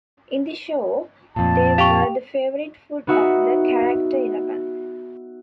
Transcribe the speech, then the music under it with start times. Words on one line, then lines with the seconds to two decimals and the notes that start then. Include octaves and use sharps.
In the show, they were the favorite food of the character Eleven.
1.36 F2 A#2 A5
1.78 G4 F5 G5 C#6 F7
3.07 B3 D#4 F#4 E5